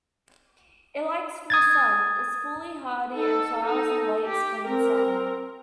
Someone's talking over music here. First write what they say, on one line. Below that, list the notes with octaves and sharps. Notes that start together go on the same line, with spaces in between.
It likes full sun, is fully hardy and flowers in late spring and summer.
D#6 G#6 A6
D#4 A4
D#4 A4
G4
C4 A#4